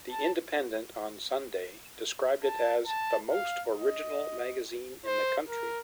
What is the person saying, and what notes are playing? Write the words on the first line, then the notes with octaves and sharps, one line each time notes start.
"The Independent on Sunday" described it as "The most original magazine in the country".
A5
A5
A5
F5
D#5
C5
A#4